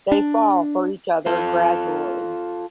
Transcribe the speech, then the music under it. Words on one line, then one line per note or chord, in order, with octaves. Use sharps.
They fall for each other gradually.
D4
F4 A4